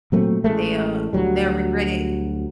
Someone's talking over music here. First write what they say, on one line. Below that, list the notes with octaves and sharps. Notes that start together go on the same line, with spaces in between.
they'll they'll regret it
A#2 F#3 A3 C4
A1 G#3 A3
D2 F#3 G3